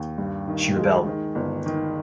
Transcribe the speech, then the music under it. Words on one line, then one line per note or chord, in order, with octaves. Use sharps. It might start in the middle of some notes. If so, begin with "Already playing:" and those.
She rebelled.
Already playing: D#2
G2
D#3
G#3
D#3
G1
D#3